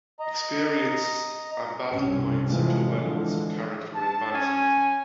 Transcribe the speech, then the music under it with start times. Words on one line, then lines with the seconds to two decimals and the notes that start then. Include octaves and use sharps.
'Experiences' and 'Battle points' are two elements of character advancement.
0.20 D#5 A#5
1.90 C2 G2 B2 C4 C#4
2.45 A2 C3 E3 F3 G#3 A3
2.96 D3 E3 F3 G#3
3.95 A5
4.33 C#4 G#5